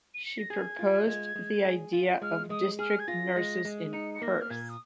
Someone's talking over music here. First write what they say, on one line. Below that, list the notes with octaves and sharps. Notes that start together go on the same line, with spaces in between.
She proposed the idea of district nurses in Perth.
D#7
C#7
A#6
G#4 G#6
F4
G#3
G#3
G#4
F4
G#3 F6
G#3 D#6
G#4 F6
G#6
F4 A#6
G#3
G#3
D#4 C#7
C#7
A#3 A#6
F6
A#2 G#6
D#6